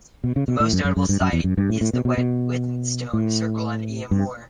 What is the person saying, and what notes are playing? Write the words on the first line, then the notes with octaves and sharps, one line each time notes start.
The most notable site is the Wet Withens stone circle on Eyam Moor.
B2
C#3
B2
A2
F#2
F#2
F#2
G2
F#2
E2
F#2
G2
A2
A2
B2
B2
B2
A2
G2